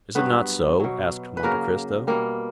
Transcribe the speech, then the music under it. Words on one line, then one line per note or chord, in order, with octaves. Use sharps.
"Is it not so?" asked Monte Cristo.
G2 F#3 B3 B4
B2 F#3
B4
C#3 F#3 A#3 A#4
B2 G3 A#3 A#4